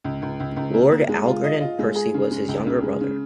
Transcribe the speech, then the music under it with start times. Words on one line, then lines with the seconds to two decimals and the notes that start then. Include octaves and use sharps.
Lord Algernon Percy was his younger brother.
0.04 C#2
0.22 C#2
0.40 C#2
0.56 C#2
0.74 A#3
0.92 A#3
1.09 G#3
1.26 F4
1.44 D#5
1.61 F4
1.79 G#3
1.96 G#4
2.14 C#3
2.31 G#3
2.48 C#2
2.67 C#3
2.83 G#3
3.01 C#3